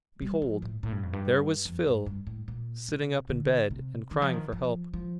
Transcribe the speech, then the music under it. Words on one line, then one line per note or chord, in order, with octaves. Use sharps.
Behold--there was Phil, sitting up in bed, and crying for help.
G3
F3
A2
A2
G2
F2
G2
F2
G2
G2
A2
A#2
C3
D3
C3
D#3
F3
D#3
F3
F3